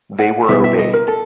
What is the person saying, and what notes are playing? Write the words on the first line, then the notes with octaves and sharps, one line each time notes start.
They were obeyed.
F#5
B2 G3 B3 E4 E5
E5
D#5
A#4
A4